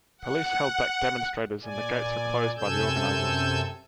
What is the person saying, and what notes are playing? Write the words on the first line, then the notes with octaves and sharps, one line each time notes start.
Police held back demonstrators and the gates were closed by the organisers.
F#5
A#2 D5 G#5
F#2 C3 A4 G#5 E6 G6